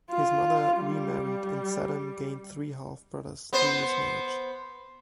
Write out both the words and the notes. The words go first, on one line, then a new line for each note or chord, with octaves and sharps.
His mother remarried, and Saddam gained three half-brothers through this marriage.
F4
G3
B3 C5